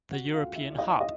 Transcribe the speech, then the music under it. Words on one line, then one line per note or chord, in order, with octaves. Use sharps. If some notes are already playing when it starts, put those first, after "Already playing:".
The European Hop!
C#3 F#4 F#5
F4 F5
D2
E4 E5
D2 D5
D#4 D#5
C#3 D#4 D#5